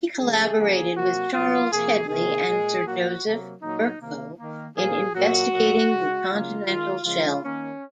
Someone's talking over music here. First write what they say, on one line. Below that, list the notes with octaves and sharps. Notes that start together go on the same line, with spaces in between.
He collaborated with Charles Hedley and Sir Joseph Verco in investigating the continental shelf.
C#3 F3 G#3 G#4
C#3 F3 A#3
C3 F#3 A#3 F#4
C3 F#3 A#3 F4
C3 F3 A#3 G#4
C3 D#3 A#3 G#4
A#2 G#3
A#2 F#3 A#3 F#4
C3 F#3 A#3
A#2 F#3 A#3 D#4
C3 D#3 A#3
D#3 A#3
A#2 F3 A#3 G#4
A#2 F#3 A#3 F#4
A#2 F#3 A#3
C#3 G#3
C#3 F#3 A#3 F4
D#3 G#3 F4
C#3 F3 G#3 F4
D#3 A#3 C#4